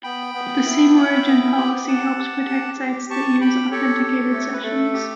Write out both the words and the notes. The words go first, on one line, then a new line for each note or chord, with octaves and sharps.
The same-origin policy helps protect sites that use authenticated sessions.
B3 G5 B5
B3
E4
E4
B3
G4
G4 F#5 A5
G4
G4
G4
G4 A5 C#6
G4 G5 B5
G4 A4 C#5
G4
A3
B4
A3 A4
G4